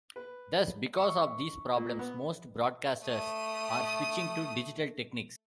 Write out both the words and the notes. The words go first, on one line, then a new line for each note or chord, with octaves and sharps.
Thus, because of these problems, most broadcasters are switching to digital techniques.
B4
E5 C#6
A#2
B3
A3 D#6